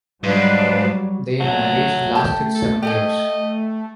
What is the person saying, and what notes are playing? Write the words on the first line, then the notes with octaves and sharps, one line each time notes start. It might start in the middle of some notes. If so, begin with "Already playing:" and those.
Their marriage lasted seven years.
G#2 F#3 G3 D4 B4 F5
F#3 A3
G4 A5
A4
G4 A4 D#5 G#5